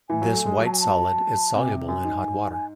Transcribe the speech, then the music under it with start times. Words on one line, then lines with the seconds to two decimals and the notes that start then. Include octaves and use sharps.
This white solid is soluble in hot water.
0.09 E3 G#5
0.21 F#3
0.34 A3
0.46 G#3
0.58 F#3
0.65 A5
0.72 G#5
0.80 A5
1.55 C3 G#5
1.71 C3
1.88 F#2 G#5
2.04 G#2
2.52 G#5